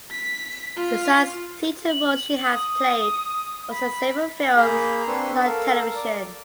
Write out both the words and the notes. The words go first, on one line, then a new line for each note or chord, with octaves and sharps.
Besides theatre roles she has played also in several films and on television.
B6
F4
F#7
D#6
B5
A#3 G#4 A#5 B5 G6
C4 D4 B4 C6 C#6 E6
A4 A#4 F5 E6
D5